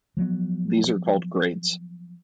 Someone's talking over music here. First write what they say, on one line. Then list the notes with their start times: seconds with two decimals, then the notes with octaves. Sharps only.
These are called grades.
0.17 F3 F#3 A3 B3